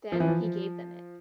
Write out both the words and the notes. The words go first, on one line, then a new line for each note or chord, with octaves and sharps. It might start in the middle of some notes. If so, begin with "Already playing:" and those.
Then he gave them it.
F3
E3
F3